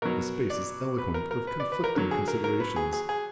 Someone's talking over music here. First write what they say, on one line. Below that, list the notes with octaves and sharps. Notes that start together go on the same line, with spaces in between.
His face is eloquent of conflicting considerations.
B2 F#3 A#4
D5
B4
A#4
A#4
B4
D5
B4
A#4
D3 F#3 A#4
G#4
A#4
A#4
B4
G#4
G#4
G#4